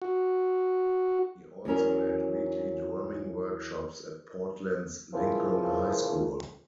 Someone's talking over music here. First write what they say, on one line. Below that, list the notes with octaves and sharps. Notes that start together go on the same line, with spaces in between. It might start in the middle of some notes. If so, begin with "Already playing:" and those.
He also led weekly drumming workshops at Portland's Lincoln High School.
F#4
E2 F#3 C#4 A#4
A#2 C#3 E3 F3